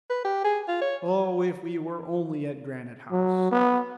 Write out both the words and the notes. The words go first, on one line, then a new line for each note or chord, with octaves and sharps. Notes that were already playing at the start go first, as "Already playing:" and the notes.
"Oh, if we were only at Granite House!"
B4
G4
G#4
F4
C#5
F#3
B3